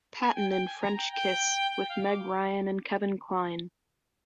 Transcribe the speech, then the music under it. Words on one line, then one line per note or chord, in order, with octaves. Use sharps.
Patton in "French Kiss", with Meg Ryan and Kevin Kline.
G#5
G5
G5
G#5
A#5
G5
G5
G5
F5
D6